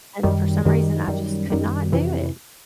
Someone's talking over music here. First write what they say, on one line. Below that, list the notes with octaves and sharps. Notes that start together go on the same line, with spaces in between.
and for some reason, I just could not do it,
F#2 D#3 G3
F#2 D#3 G3
F#2 D#3 G3
F#2 D#3 G3
F2 C3 E3